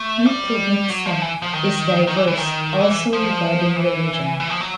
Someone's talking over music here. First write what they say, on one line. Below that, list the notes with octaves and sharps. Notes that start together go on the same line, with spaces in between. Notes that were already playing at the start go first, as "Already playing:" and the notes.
Mitrovica is diverse also regarding religion.
Already playing: A3
G3
F#3
F3
E3
F3
D#3
D#3
E3
E3
D#3
E3
E3
F3
E3
E3
F3
F#3